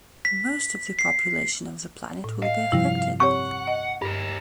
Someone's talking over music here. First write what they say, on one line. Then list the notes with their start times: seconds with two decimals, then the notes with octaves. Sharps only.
Most of the population of the planet will be affected.
0.25 B6
0.99 C7
2.24 A2
2.42 D#5 F5
2.72 G2 C3 F3 G3 E4
3.20 C4 G4 C#5 F#5 C#6
3.67 D#5
4.02 G2 G4 A#4